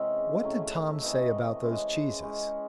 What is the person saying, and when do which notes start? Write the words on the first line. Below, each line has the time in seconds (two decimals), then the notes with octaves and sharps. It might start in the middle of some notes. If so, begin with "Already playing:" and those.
"What did Tom say about those cheeses?"
Already playing: C3 E3 G#3 C#4 E5
0.43 A2 F#3 A3 C#4
0.92 E5
1.02 C3 E3 A3 D#5
1.62 E3 G#3 C#4 C5
2.21 E3 G#3 C#4